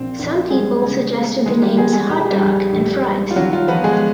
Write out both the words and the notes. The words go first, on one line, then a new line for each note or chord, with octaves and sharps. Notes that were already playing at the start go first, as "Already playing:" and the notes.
Some people suggested the names "Hotdog" and "Fries".
Already playing: A#1 A#2 C4
A#1
G3 G#3 G#4
C#3
A3
D#2 G#3 G#4
G3 G4
F#3 G#3 G#4
G#3 G#4
A#2 G4
G#4
G3 G4
A#1
A#1
G3
F4
D#2 F#3 F#4
F4
F3 B3 B4
G#3 G#4